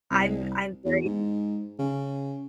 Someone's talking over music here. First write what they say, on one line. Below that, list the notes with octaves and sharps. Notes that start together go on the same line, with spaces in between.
I'm I'm very
C2
E2
G#2
C#3